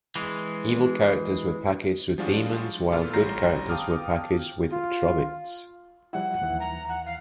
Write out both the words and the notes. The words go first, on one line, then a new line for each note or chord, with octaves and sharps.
Evil characters were packaged with demons while good characters were packaged with Trobbits.
E3 G#3
F3 G3 G#3 D4 F4 F#4
A#2 F4 A4 B5 F6
A1 G3 A#5 G6 A#6 C7
F5 G5 A5 D6 D#6 F6
F4
F3 G3 E4 F#5
D#2 E3 E4
A#5
F#5
F5